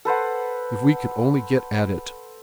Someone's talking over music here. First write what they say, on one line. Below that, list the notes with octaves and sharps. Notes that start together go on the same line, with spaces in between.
If we could only get at it!
A4 B4 C5 F#5